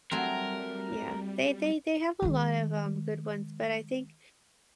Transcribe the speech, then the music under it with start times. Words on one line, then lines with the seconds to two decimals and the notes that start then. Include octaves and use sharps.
Yeah, they they they have a lot of, um, good ones, but I think
0.11 F#3 G3 A3 C4 A#4
2.22 D#3 G#3